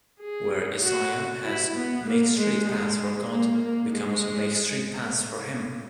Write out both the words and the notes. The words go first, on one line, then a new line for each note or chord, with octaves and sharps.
Where Isaiah has "make straight paths for God" becomes "make straight paths for him".
G#4
F#4
E4
B3
A#3
G#3
G#3
A#3
A#3
G#3